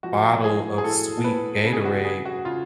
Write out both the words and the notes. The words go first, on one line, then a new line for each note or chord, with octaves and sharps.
bottle of sweet Gatorade,
F3 F#4
A2 G#4
G#4
A2 A4
A2 B4
C#3
G#4
F#4
C#3 G#4
F#4
C#3 F4